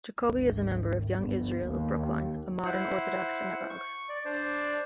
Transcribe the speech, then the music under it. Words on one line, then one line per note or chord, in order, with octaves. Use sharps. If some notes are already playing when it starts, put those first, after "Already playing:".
Jacoby is a member of Young Israel of Brookline, a modern Orthodox synagogue.
G#1 D2
G1 B3
D#2
E4 C5 F#5
C#6
D5
D4 C5 D5